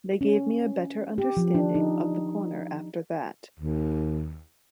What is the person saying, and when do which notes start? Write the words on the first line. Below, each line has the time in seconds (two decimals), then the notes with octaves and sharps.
They gave me a better understanding of the corner after that.
0.21 C#4
1.18 G4
1.37 F3
1.55 D4
1.75 D#4
3.60 D#2